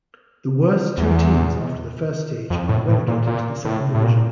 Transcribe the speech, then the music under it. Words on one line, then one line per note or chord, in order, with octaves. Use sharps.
The worst two teams after the first stage are relegated to the second division.
E2
F2
A2
A2
A#2
A#2
A2
A2
A#2